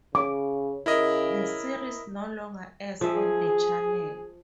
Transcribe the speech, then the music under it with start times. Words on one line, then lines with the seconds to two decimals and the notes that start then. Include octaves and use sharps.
The series no longer airs on the channel.
0.15 C#3 D6
0.86 C#3 E4 A#4 D#5
3.01 F3 G#4 E5